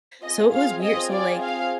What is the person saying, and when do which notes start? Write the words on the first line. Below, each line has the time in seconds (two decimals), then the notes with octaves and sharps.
So it was weird. So like,
0.23 C4 F4 G#4 D#5
0.53 F5
0.83 D#5
1.12 D5
1.42 F5